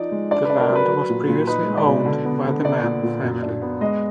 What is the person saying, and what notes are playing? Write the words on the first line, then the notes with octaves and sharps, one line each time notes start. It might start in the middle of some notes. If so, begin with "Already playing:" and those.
The land was previously owned by the Mann family.
Already playing: F3 D#4 D5
G#3
D4 D5
D4 B4
A#4
F#3
B4
F#3
A#2
A#2
D#4 B4
G#3
D5
B2
D3
B3
D3
B3 D5
A#2
A#2
F#2
D4
B3
G#3 D#5